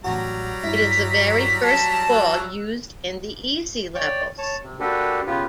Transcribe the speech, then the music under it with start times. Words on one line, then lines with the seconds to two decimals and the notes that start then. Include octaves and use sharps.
It is the very first ball, used in the easy levels.
0.04 A1 F#3 G3 F#4 A#5
0.63 G2 E4 B6
1.63 A5
2.10 E6 F#6
3.95 C#5 D5 G5
4.38 C#5 A5
4.63 C3
4.80 A#3 D4 F#4 G4 A4 B4
5.27 C#3 B3 F4 G4 B4